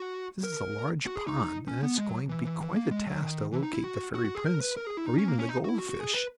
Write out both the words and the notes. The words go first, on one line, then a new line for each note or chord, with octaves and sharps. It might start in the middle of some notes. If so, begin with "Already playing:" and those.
"This is a large pond, and it's going to be quite a task to locate the fairy prince, or even the gold fish."
Already playing: F#4
A#4
F#4
G#4
D#4
C#4
B3
G#3
F#3
E3
E3
E3
A#3
G#3
F#3
D#3
E3
D#4
E4
F#4
F#4
F#4
G#4
A#4
B4
A#4
G#4
E4
D#4
C#4
A#3
C#4
D#4
F#4
E4
F#4
F#4
G#4
B4